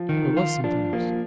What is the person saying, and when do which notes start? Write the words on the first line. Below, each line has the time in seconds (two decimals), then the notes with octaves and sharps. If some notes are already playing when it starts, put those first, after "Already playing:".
There was something else.
Already playing: F3
0.09 D#3
0.37 F4
0.64 F3 D4
0.93 F3 A#3